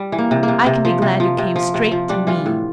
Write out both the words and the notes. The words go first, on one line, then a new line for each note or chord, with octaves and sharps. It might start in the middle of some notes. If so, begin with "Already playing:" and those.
I can be glad you came straight to me.
Already playing: G3
E3
A#3
C3
A#3
C3
C3
F3
C3
F3
C3
F3
C3
F3
G3 D4
E3 F4
A2